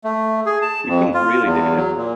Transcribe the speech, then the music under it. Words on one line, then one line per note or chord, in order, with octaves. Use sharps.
You couldn't really date it.
A3
G#4
A5
F2
F4
E2
F#3
A#2